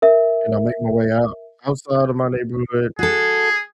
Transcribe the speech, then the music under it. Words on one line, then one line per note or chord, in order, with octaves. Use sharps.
and I make my way out outside of my neighborhood,
A#4 E5
F#4 G#4 A4